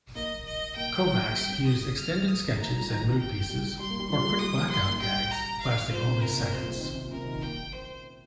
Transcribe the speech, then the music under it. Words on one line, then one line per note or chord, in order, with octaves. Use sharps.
Kovacs used extended sketches and mood pieces or quick blackout gags lasting only seconds.
A#3 D#5
D#5
A#3 G5
A#3
G3
D#6
F6
D#6
A#3 A#5
G3
F3
D#3
G5
G3
G3 C6
A#3
G3
F3 C6
G3
A#3
G3 D#6
A#3
G3 C6
A#3
G3 G5
A#5
F5
F3 C5
C3
C3 A#4
A#2
C5
A#2
D#3
C3 C5
C3
A#2
C3 A#4
D#3
D#3
A#3 G5
C5